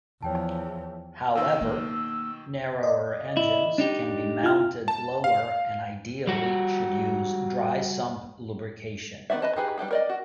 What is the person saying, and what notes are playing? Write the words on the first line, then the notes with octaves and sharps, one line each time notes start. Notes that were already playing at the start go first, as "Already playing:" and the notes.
However, narrower engines can be mounted lower and ideally should use dry-sump lubrication.
E2 F3 C#5 G5 A5
B2 D#3 E6
A#3
D5 D#5
E4
D4 D#4 G4
E4 F4 F6
A5
F5
G3 F#4
D#3 B3 F#4 D5 E5
B4 D#5 A5
D#4 G4 G#4 B4
G3 D4 G4 G#4
A#4 D5 D#5
F#4